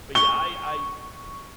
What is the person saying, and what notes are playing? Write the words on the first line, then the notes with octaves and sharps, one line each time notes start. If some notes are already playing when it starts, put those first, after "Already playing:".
but, yeah, I I
C#6 G7